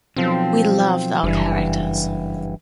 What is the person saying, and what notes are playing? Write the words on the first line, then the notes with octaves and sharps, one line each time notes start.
We loved our characters.
B1 F3 C4
F#1 G2 E3